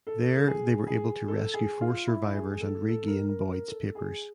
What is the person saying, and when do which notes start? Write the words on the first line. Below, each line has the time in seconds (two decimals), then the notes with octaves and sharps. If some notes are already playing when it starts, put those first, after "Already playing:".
There they were able to rescue four survivors and regain "Boyd"s papers.
0.07 A4
0.35 A4
0.47 G#4
0.87 G#4
1.28 A4
1.54 G#4
1.81 F4
2.07 E4
2.34 G#4
2.51 G#4
2.61 A4
2.88 A4
3.07 A#4
3.28 A#4
3.48 A#4
3.68 A4
3.95 G#4